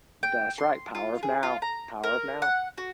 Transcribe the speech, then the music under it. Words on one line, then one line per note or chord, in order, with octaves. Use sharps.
That's right, Power of Now, Power of Now.
G5
C6
F4
G#4
F4
A#5
A#4
F#5
F#4